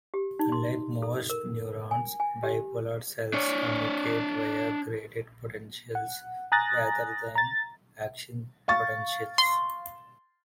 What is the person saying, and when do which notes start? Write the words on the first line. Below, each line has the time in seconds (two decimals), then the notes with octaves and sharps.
Unlike most neurons, bipolar cells communicate via graded potentials, rather than action potentials.
0.14 G4
0.39 D#4
0.52 C6
1.02 A4
1.30 A#4
1.91 G#5
2.20 G#5
2.43 G4
3.34 D4 C#5
5.95 F#5
6.52 G#5 A#5 D#6 F#6 A6 A#6
7.35 A#5 A6
8.68 F5 C#6 A6
9.38 C6